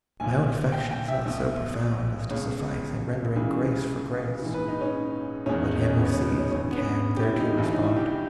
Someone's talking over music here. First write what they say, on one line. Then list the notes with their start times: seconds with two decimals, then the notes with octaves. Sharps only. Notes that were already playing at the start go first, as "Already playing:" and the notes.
My own affection is not so profound As to suffice in rendering grace for grace; Let Him, who sees and can, thereto respond.
0.20 B1 A#2 G#5
0.72 G5
0.91 G5
1.08 E5
1.25 B1 B2
2.30 C#2 B2 C#5
3.36 C#2 C#3 E3
4.41 A#1 G#2 E3
4.54 B4
4.68 D#4
4.81 C#4
5.46 E1 C#4
5.49 E2 D#3
5.64 D#4
5.81 C#4
5.99 B3
6.13 C#4
6.26 D#4
6.39 C#4
6.52 G1 G2 E3 C#4
6.71 B3
6.78 C#4
7.17 G4
7.22 E4
7.40 D#4
7.57 G1 G2 E3
7.70 D#4
7.83 E4
7.96 G4